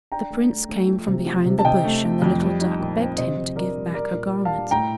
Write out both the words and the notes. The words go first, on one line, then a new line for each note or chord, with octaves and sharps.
The Prince came from behind the bush and the little duck begged him to give back her garment.
D4 G5 A#5
A3
A3
A3
F3
C3
F3
C3
A5
C3 D#5 G5
A3
A3
F2
G3
D#4
A#2
C4
C3 C5 D#5
F2
F2 A#4 D5
G3
G3 A#4 D5
A#2
G3
F5 A5
G3
A2 G5 A#5